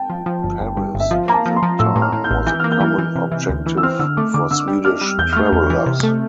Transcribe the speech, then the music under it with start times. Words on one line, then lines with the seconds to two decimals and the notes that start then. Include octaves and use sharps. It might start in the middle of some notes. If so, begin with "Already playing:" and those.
Paris at that time was a common objective for Swedish travelers.
Already playing: G5 A5
0.10 F3
0.26 F3
0.44 G1
0.61 G1
0.77 G2
0.95 G1
1.00 E5
1.11 F3 F5
1.28 A#3 A#5
1.34 A5
1.46 F3
1.56 C6
1.63 F3
1.79 A2 E6
1.96 A2
2.02 F6
2.13 A2
2.24 G6
2.31 A1
2.47 E3 G6
2.60 A#3 F6
2.72 G6
2.80 E3
2.98 E3
3.16 C3
3.32 E3
3.49 D2
3.66 E3
3.77 E6
3.83 C4 F6
3.99 D3 E6
4.17 A3 D6
4.34 D3 D6
4.51 D3 E6
4.68 G3
4.85 D4 F6
5.01 G3
5.18 E2 G6
5.33 A3 F6
5.46 G6
5.52 E2
5.70 E3
5.86 C3
6.03 A3